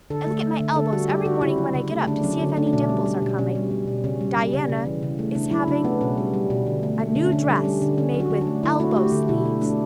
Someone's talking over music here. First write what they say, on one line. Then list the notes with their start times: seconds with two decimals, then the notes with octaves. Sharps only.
I look at my elbows every morning when I get up to see if any dimples are coming. Diana is having a new dress made with elbow sleeves.
0.10 D3 A4
0.26 A3
0.43 A3
0.60 D3
0.76 D3 A4
0.93 G3 F#4
1.09 G3 G4
1.25 D3 F#4
1.41 C#3 E4
1.58 F#3
1.75 C#3
1.91 A3
2.07 D3 D4
2.23 F#3 C#4
2.40 D3
2.56 A3 D4
2.67 D4
2.73 B2 C#4
2.89 G3
3.06 G3
3.22 B2
3.38 B2 C#4
3.55 G3
3.71 G3
3.87 B2
4.04 C#3 C#4
4.21 G3
4.37 G3
4.53 C#3
4.69 C#3
4.86 E3
5.02 C#3
5.19 A3
5.35 C#3 D4
5.51 F#3 E4
5.68 C#3 D4
5.85 A3 B3
6.01 B2 C#4
6.17 G3
6.34 G3
6.50 B2
6.67 D3
6.83 A3
6.99 A3
7.16 D3
7.26 C#4
7.32 D3 D4
7.49 G3
7.65 G3 C#4
7.82 D3
7.98 D3 C#4
8.14 F#3
8.20 F#4
8.31 D3
8.41 D4
8.47 A3
8.63 D3 E4
8.80 A3 F#4
8.91 F#4
8.96 A3 G4
9.12 D3
9.29 B2 E4
9.45 A3
9.61 A3 D4